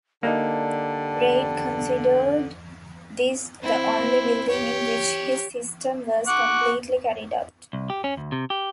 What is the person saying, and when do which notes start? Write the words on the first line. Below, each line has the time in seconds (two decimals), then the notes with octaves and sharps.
Reid considered this the only building in which his system was completely carried out.
0.23 D3 G3 A#3 D#4 A5
3.62 C4 E4
4.49 G4 C#5
6.27 F#5 C#6 D6
7.73 C2
7.90 G4
8.04 C#4
8.17 D2
8.32 C3
8.50 G4